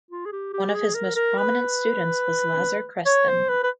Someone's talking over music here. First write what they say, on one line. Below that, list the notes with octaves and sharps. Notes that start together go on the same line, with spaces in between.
One of his most prominent students was Lazar Krestin.
F4
G#4
G4
G4
G#4
A#4
A#4
B4
C#5
C5
B4
B4